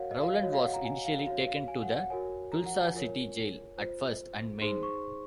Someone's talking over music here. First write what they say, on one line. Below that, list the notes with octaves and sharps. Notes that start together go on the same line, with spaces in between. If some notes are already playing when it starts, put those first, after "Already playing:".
Rowland was initially taken to the Tulsa city jail at First and Main.
Already playing: F#4 A#4 C#5 F5 F#5
D#5
F5
F5
F#4 C#5 D#5
F5
F#5
A#5
G#5
F5
F#4 C#5 F5
F5
G#5
F#5
F#5
F#4 A#4 C#5 G#5
A#5
F#5
G#5
F4 A#4 C#5
F4 C5
D#4 G#4 C5 C6
C#6